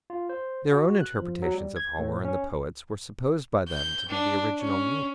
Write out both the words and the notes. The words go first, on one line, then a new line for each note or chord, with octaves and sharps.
Their own interpretations of Homer and the poets were supposed by them to be the original meaning.
F4
C5
F#4
F#6
F3
F#3
G3
G#6
A2
C#4
G6
D4
C#4